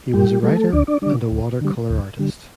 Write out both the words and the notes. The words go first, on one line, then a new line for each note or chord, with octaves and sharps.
He was a writer and a water colour artist.
G2 G3 G4
G3 A3 A4
D2 D4 D5
D4 D5
D3 G3 D4 D5
D2
D3 G3
D2
D3 G3